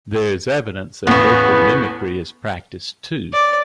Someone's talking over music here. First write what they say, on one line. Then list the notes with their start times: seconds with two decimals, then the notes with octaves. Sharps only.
There is evidence that vocal mimicry is practised too.
1.07 E2 A2 C#3 E3 B3
3.33 D5